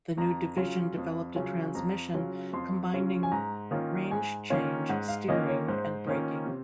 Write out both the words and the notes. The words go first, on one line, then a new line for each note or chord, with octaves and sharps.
The new division developed a transmission combining range change, steering and braking.
F2 A#5
C#3 F#3 C#4 F4
F2
C#3 F#3 C#4 F4
F2 A#5
C#3 F#3 C#4 F4
F2 C6
C#3 F#3 C#4 F4
G#5
G#2 A#5
D#3 A#3 C#4 F4
G#2 G#5
D#3 A#3 C#4 F4
G#2 F#5
F5
D#3 A#3 C#4 F4 D#5
C#5
G#2 C5
D#3 A#3 C#4 F4
C3